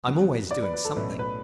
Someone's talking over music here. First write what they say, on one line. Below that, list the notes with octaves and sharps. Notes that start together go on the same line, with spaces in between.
I'm always doing something.
E2 C#3 F#3 B3
D5
B4
B4
A4
B1 A2 F#3 A3 C#4 B4
B4